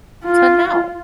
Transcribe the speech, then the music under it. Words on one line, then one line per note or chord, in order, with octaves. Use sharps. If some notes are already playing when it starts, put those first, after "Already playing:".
to know?
F4